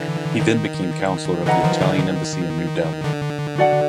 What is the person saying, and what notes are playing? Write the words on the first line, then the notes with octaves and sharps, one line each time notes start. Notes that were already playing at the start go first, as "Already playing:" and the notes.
He then became Counsellor of the Italian Embassy in New Delhi.
Already playing: D3 E3
D#3
D3 E3 B4 D#5 F#5 A#5
D#3 F3
D3 E3
D#3
D3
F#4 A4 D5 F#5